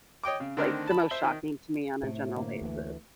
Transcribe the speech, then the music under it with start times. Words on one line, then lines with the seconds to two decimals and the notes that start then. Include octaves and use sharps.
like, the most shocking to me on a general basis.
0.24 C#5 D#5 G5 D6
0.40 C#3
0.57 D3 D#3 A3 C4 D4 A#4
0.88 A5 B5
1.11 C5 E5
1.24 D#3
2.03 A2 C3 A3
2.36 F#2 D3 A#3
2.61 D2 E3